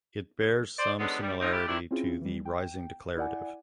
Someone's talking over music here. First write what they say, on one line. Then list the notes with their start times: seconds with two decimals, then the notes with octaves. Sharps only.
It bears some similarity to the rising declarative.
0.79 C5 D5
1.00 F#2 A2 D3 G#3 B3 D4
1.21 G3
1.41 F2 A#2 D3 F3 C4 D#4
1.53 A3 E4 F4 G4
1.68 D#3 A3 C4 D4 E4
1.91 C4 C#4 E4 F4 G#4
2.21 E3 G3
2.45 G5
3.17 E4 D5 F#5 G#5